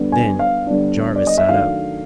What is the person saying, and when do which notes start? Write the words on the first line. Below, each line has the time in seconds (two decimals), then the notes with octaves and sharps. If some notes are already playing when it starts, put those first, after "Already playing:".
Then Jarvis sat up.
Already playing: D3 G3 B3 D4
0.12 G#5
0.39 F5
0.67 D3 G3 B3 D4
1.16 D5
1.27 D#5
1.38 E5
1.48 D#3 F#3 A3 D4 F5